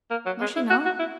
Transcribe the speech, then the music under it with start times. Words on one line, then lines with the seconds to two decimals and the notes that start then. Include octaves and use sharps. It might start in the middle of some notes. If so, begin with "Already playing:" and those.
"Must she know?"
0.11 A#3
0.26 F#3
0.41 G#3
0.56 E4
0.70 F#4
0.85 F#4
0.99 E4